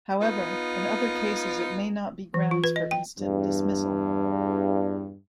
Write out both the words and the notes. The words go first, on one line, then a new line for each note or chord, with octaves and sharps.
However, in other cases it may not be grounds for instant dismissal.
B3 D#4 F4
E3
F4
B4
D#5
G5
E2 G2